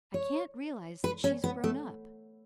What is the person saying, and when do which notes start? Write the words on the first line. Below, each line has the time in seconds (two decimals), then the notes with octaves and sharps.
I can't realize that she's grown up.
0.14 C#5
1.04 B4
1.24 C#4
1.44 B3
1.64 A3